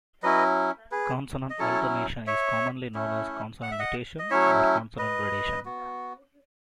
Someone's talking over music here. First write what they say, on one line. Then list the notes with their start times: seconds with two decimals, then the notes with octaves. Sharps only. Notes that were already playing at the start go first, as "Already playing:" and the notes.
Consonant alternation is commonly known as consonant mutation or consonant gradation.
0.23 F#3 C#4 E4 B4 D#5
0.91 G#4 B4
1.50 D#5
1.59 F#3 C#4 E4 A4 C#5
2.27 C#5 E5
2.95 A3 C#4 E4
3.62 F#5
3.71 E5
3.79 D#5 F#5
4.19 D#5
4.30 F#3 A3 C#4 E4 C#5 E5
4.99 B4 D#5
5.65 B3 F#4